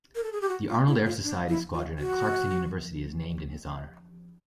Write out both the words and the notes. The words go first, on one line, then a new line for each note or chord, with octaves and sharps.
The Arnold Air Society Squadron at Clarkson University is named in his honor.
A#4
A4
G#4
G4
F#4
F4
E4
F4
D4
E4
F4
F#4